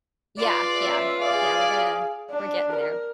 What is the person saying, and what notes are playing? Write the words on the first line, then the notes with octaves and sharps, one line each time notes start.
Yeah, yeah, yeah. We're gonna we're getting there.
F4 G#4 B4 D5
C#4 E5
G#4 D5 F5
D4
A#4